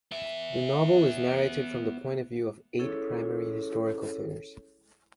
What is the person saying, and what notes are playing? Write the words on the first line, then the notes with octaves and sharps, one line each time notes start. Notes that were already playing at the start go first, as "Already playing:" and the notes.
The novel is narrated from the point of view of eight primary historical figures.
B3 E5
C#4 E4 G#4 A4 C#5